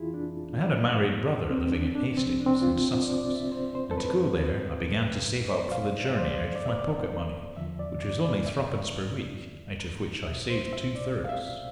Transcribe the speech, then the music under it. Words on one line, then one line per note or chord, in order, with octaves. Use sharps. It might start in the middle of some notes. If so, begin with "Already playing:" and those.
I had a married brother living at Hastings, in Sussex, and to go there I began to save up for the journey out of my pocket money, which was only threepence per week, out of which I saved two-thirds.
Already playing: F2 E3 E4 F4 G#4
D4
C4
D4
D4
C2 C3 F3 C4
D4
C4
D4
F4
C5
D5
D5
E5
C5
C5
A4
B4
C2 B2
C5
D5
F5
E5
C5
D5
D5
E5
D5
E2 D3 F3 E5
D5
D5
D5
E5
C2 B2 E5
C5
E5
D5
F5
E5